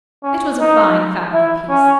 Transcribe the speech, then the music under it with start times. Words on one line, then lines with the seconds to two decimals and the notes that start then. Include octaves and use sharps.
It was a fine family-piece.
0.24 C#4
0.60 D#4
1.33 E4
1.69 C#4